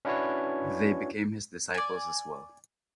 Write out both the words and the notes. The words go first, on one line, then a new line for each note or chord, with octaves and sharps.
They became his disciples as well.
C#4 D4 E4 F#4 B4 C#5
D5 G#5